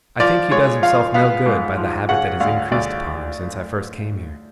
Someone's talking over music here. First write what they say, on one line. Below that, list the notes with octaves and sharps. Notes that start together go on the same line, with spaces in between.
'I think he does himself no good by the habit that has increased upon him since I first came here.
F3 D5
G#3 C#5
F3 F5
B3 F5
G#2
F3
C#3 F#5
D2 F5
D2 D5